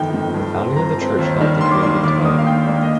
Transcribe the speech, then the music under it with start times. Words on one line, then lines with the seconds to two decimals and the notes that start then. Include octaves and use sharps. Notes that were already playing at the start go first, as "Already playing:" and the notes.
The founding of the church helped the community develop.
Already playing: G1 F2 D#3 G5
0.14 F2 D#3
0.34 G2
0.56 F3 C4
0.76 G2 A#5
0.98 F3 C4
1.19 D#2
1.40 D#3 G3 D4
1.61 D#2 C6
1.71 D6
1.83 D#3 G3 D4 C6
2.04 D#2 D6
2.24 D#3 A#3 D4 D#6
2.39 F5
2.45 D#2 G5
2.66 D#3 A#3 D4 G5
2.82 D#5